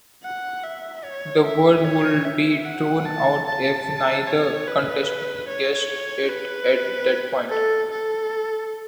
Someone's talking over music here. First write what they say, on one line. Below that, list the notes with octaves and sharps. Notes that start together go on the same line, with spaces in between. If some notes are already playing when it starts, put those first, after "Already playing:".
The word would be thrown out if neither contestant guessed it at that point.
F#5
E5
C#5
E5
C#5
E5
F#5
A5
A5
C#5
B4
C#5
B4
A4
A4